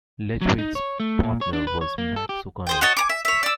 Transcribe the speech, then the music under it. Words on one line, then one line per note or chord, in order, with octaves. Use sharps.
Ledwidge's partner was Max O'Connell.
F#3
D#4
C#5
A3
A#2
C#5
D4
B4
C#5
A#3
A4
G4
G#4 C5 G5
F#4 C#5 D#5 A5
G#5 A#5 D6
E5
C#5 E5
D5 E6